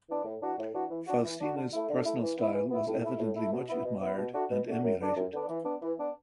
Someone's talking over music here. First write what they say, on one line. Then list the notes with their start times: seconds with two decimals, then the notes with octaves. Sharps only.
Faustina's personal style was evidently much admired and emulated.
0.08 E3 B3 D4
0.25 A2
0.41 E3 D4 F#4
0.58 A2
0.74 E3 D4 F#4
0.90 E3
1.07 D4 F#4
1.24 E3
1.40 D4 F#4
1.56 D3
1.73 A3 E4
1.89 D3
2.05 A3 E4
2.22 E3
2.38 B3 E4
2.54 E3
2.71 B3 E4
2.88 A2
3.03 A3 E4
3.20 A2
3.36 A3 E4
3.53 B2
3.69 B3 E4
3.85 B2
4.02 B3 E4
4.17 B2
4.34 A3 D4 F#4
4.51 B2
4.67 A3 D4 F#4
4.83 F#2
5.00 D3 B3 D4
5.16 F#2
5.33 D3 B3 D4
5.49 E3
5.65 B3 D4
5.82 E3
5.98 B3 D4